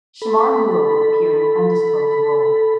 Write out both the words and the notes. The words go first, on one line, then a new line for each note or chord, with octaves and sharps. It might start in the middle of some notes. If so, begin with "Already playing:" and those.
Shemar Moore will appear in an undisclosed role.
A4 B5